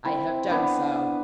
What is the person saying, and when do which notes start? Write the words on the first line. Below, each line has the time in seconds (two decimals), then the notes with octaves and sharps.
I have done so.
0.05 C4 E4
0.50 B3 D4